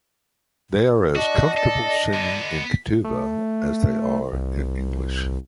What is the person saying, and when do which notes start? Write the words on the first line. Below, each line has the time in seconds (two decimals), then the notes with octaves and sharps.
They are as comfortable singing in Kituba, as they are in English.
1.16 D4 F#4 D5 D#5
1.57 A4
2.14 D3 B3
3.04 A3
4.33 C2